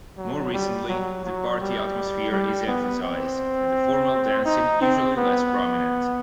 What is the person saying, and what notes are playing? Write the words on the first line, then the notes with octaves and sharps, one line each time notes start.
More recently, the party atmosphere is emphasized and the formal dancing usually less prominent.
F#3
G3
F#3
F#3
G3
G3
B3
C4
D#4
C4
B3